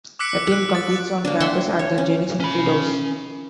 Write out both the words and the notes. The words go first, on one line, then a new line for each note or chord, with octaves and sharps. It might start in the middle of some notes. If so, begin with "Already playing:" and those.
The team competes on campus at the Jenison Field House.
D6 E6 F#6 B6 C#7 D7
F#6
A6
A#3 D4
E5 F#5 G5 C6
C#5
C#4
C#4 B5